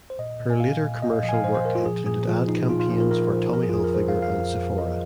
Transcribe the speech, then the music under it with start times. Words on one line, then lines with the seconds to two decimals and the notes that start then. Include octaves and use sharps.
Her later commercial work included ad campaigns for Tommy Hilfiger and Sephora.
0.10 C5
0.19 A#2 D#5
0.40 A#2
0.50 G#5
0.60 A#2 F5
0.82 A#2
1.02 A#2 D#5
1.13 F5
1.23 F3 D#5
1.29 G#5
1.34 F5
1.44 F3 C5
1.55 C5
1.65 A#2 A#4
1.75 F4
1.85 F3 G#4
2.06 A#2 G#4
2.28 F3 F4
2.48 F3 D#4
2.69 A#2 F4
2.80 F4
2.90 F3
3.00 A#4
3.11 A#2 A#4
3.32 F3 C5
3.53 F3 A#4
3.63 G#4
3.69 F4
3.74 F2 G#4
3.84 A#4
3.94 F3 C5
4.08 F5
4.16 F3
4.22 F5
4.36 F2
4.57 F2
4.78 F3 D#5